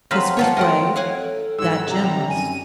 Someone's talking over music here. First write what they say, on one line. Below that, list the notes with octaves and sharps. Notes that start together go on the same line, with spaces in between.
This was brave, that generous.
F2 F#3 B4 C5 D#5 F5
F3 F4 C#5 F#5
A3 F4 A#4 D#5 F#5 G5
C#5 F5 F#5 G#5
A4
G#2 F#3 E6
C3 A#5
G3
F#2 G#5 D#7